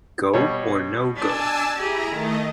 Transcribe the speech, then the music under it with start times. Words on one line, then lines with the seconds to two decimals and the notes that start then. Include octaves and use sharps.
Go Or No Go?
0.34 B2 G3 C#5
1.16 D4 G#5 A5 E6
1.78 E4 G4 G#4 A#5
2.11 D#3 A3 D#5